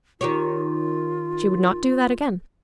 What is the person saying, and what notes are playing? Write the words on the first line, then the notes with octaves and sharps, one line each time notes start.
She would not do that again.
D#3 F4 G4 C#5